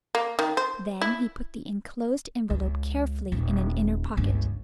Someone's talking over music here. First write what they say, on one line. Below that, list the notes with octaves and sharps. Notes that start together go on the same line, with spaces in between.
Then he put the enclosed envelope carefully in an inner pocket.
A#3
D#3
C5
E4
C#2
D#1
G1 C#2